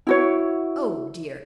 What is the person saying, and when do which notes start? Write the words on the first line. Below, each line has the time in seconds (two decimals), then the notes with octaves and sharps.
Oh dear!
0.07 E4 F#4 C#5